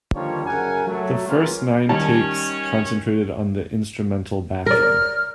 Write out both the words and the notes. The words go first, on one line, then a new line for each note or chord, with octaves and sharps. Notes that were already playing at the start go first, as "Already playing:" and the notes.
The first nine takes concentrated on the instrumental backing.
D3 D#3 F3 G3 A#3 C#5
F#2 C#3 A#4 F#5 G#5
F#3 A3
F#3 G#3 A#3 B3 C#4 F4
D#3 G3 C#4 A5
A#4 D5 F6